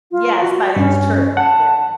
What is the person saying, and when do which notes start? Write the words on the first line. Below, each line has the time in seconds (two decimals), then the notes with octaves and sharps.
Yes, but it's true, very.
0.11 F4
0.40 F#4
0.76 G2 C#4
1.37 F#5 A5